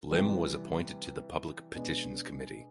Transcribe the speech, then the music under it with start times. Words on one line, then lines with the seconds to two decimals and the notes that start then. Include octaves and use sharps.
Lim was appointed to the Public Petitions Committee.
0.11 C3 E3 G3
1.74 B2 G#3 B3 D4